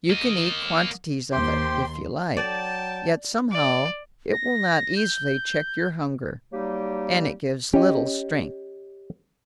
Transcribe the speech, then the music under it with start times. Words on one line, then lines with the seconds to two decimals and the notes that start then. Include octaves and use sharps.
You can eat quantities of it, if you like, yet somehow it will not easily check your hunger, and it gives little strength.
0.11 A#3 D#5
1.32 D#2 G4 C5 G5 C6
2.37 F#3 D5 G5 A5
3.52 D5
4.32 A#6
4.97 G6
6.52 F#3 G3 A#3 D#4 G4
7.73 C#4 G4 C#5 D#5